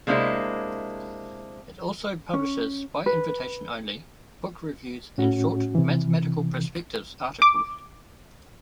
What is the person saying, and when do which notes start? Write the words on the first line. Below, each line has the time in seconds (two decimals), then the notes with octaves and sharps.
It also publishes, by invitation only, book reviews and short "Mathematical Perspectives" articles.
0.07 C3 G#3 A#3 D4 E4 C5
2.33 C#4
3.06 B4
5.18 A2 C#4 F#4
5.75 C3 E3
7.42 D6